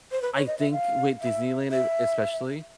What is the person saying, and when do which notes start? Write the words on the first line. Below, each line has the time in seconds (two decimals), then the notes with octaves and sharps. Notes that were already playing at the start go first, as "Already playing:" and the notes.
I think with Disneyland, it especially,
0.12 C5
0.22 B4
0.34 C#5
0.47 D#5
0.59 E5
0.72 F5
1.21 E5
1.70 E5